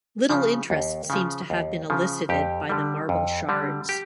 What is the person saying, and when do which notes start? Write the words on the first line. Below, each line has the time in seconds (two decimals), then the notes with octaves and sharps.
Little interest seems to have been elicited by the marble shards.
0.29 C#3 F3
0.70 D#2
1.10 C#3 F3
1.50 D#2
1.90 C#3 F3
2.29 F2 G4
2.70 D3 G3
3.09 F2
3.49 D3 G3
3.89 G4